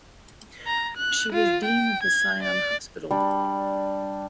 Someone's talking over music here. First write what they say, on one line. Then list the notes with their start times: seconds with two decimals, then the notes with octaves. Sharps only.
She was dean of the Sion hospital.
0.67 A#5
0.97 F#6
1.33 F4
1.65 G5
2.03 G#6
2.43 D5
3.11 G3 D4